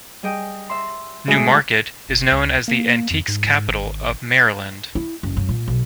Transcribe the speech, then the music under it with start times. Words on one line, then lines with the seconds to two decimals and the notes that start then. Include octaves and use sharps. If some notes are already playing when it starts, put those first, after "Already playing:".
New Market is known as the Antiques Capital of Maryland.
0.23 G3 G#4 D#5 G5
0.70 E5 C6
1.27 A2 D3 G#3 F#4 G#4 E5
2.09 F#1
2.32 C#2
2.68 A#3
3.11 F2
3.28 G#2
3.68 G#1
4.95 E4
5.23 F#1
5.37 F#2
5.49 A#2
5.68 B1